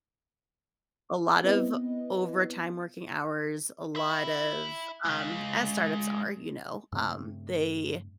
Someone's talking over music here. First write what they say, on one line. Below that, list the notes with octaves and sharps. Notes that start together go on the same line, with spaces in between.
a lot of overtime working hours, a lot of, um as startups are, you know, um, they
B3 C4 E4 B4 D#5
E5 B5
G#3 F5
G2 C#3 A3 C4